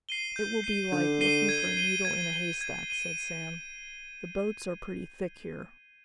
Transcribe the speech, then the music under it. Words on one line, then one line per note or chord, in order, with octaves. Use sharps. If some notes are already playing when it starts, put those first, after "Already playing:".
"It will be like looking for a needle in a hay-stack," said Sam. "The boats are pretty thick here."
C7 D#7 G7
G6
C7 D#7 G7
D3 G6
C7 D#7 G7
G#6
D#7 G7
G#6
D#7 G7
G#6
D#7 G7